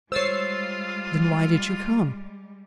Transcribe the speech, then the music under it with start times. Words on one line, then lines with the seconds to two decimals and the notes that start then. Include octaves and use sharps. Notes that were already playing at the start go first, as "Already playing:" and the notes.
"Then why did you come?"
0.12 G3 G#3 F4 C5 C#5 E6 A6 C7